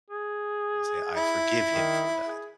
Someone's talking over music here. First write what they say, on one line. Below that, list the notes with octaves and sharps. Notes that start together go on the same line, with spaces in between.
say I forgive him for that,
G#4
E4
D#3
G#4